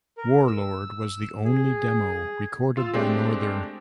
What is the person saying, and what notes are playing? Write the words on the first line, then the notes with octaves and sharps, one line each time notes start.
"Warlord" was the only demo recorded by Norther.
A#4
E6
G#4
F4 E6
G#3 A3 C4 D4 G4